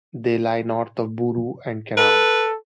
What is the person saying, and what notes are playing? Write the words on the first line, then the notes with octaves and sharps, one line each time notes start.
They lie north of Buru and Ceram.
A4 B4